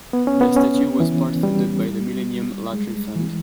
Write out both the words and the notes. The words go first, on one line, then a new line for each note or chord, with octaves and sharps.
The statue was part-funded by the millennium lottery fund.
B3
C#4
B3
C#4
E3
G3
G#3
E3